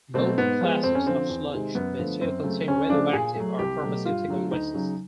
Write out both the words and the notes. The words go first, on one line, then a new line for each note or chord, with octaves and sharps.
Both classes of sludge may still contain radioactive or pharmaceutical wastes.
B2 F#3 A3 C4
G#2 B3
F3 G#3
F2 C4
C#4
D3 F3 C4
E2
C3 D#3 G#3
F#2 B3
D3 F3 A3
F#2 C4
C#3 F#3 A3
D2 C#4
C#3 F3 A3 D4
A#2 G#4
F#3 A3
C2 G4
B2 F#3 A3
G2 F4
D3 F#3 A3
D2 D#4
C#3 F#3